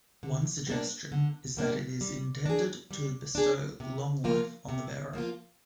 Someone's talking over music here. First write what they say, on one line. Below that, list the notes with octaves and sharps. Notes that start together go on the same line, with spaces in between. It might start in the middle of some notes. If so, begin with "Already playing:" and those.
One suggestion is that it is intended to bestow long life on the bearer.
D3
G3 A#3 D4
D3
G3 A#3 D4
G3
D4 G#4
G3
D4 G#4
C3
F3 A#3 F4
C3
F3 A#3 F4